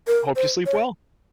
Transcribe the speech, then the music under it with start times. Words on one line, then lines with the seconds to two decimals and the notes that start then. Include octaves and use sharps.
hope you sleep well.
0.07 A#4
0.36 C5
0.66 C#5